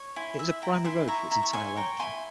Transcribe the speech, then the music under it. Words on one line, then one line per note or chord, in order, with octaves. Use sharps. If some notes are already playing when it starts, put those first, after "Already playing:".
It is a primary road for its entire length.
Already playing: C#5
E4 G#5 C6
E4 E5
E4 G5 A#5
E4 G#5 C6
E4 A#5 C#6
E4 A#5 C#6
C#6
C#5 G#5 C6
C#5 G5 A#5
E4 G#5 C6